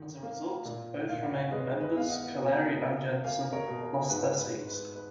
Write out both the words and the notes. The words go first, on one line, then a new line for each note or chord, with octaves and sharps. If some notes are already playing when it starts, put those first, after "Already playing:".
As a result, both remaining members, Collaery and Jensen, lost their seats.
Already playing: D#3
A#3
A#2
A#2 F5
F#5
C#5 F5
G#3 B4 D#5
B4 D#5
B3 F5
D#5 F#5
B2
A#3
A#3 F5 G#5
A#4 C#5
B2
A#4
G#2 B4
B4
G#2
B4
B4